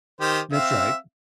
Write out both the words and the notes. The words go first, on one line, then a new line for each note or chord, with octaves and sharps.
That's right.
D#3 G4 C5
C4 E5 F5